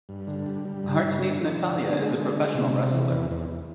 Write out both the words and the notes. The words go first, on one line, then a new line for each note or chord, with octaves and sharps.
Hart's niece Natalya is a professional wrestler.
G2
D3
G3
G3
G2
G2
D3
F3
D3
D3
G#3
D3
G#3
C3
C3
E3
E2
E2